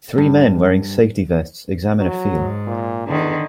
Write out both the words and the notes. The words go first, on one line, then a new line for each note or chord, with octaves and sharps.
Three men wearing safety vests examine a field.
G2
F#3
G#2
A#2
E2 D3 D#3